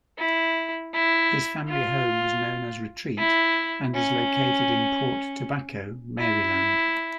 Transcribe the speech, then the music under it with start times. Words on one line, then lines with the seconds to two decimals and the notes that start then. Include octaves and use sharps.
His family home was known as Retreat and is located in Port Tobacco, Maryland.
0.18 E4
0.94 E4
1.68 F4
3.18 E4
3.94 C#4
6.19 E4